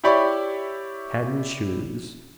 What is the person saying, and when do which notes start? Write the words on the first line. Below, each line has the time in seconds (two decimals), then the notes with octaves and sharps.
Tan shoes.
0.04 E4 G4 C#5 D5 B5 C#6